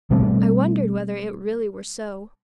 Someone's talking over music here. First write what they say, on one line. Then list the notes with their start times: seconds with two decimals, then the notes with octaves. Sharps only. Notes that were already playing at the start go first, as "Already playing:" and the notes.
I wondered whether it really were so.
0.11 B2 G3 A3 C4